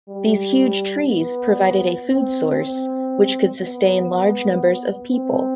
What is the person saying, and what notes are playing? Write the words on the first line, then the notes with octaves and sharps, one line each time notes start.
These huge trees provided a food source which could sustain large numbers of people.
G3
B3
C4
C4
B3
C4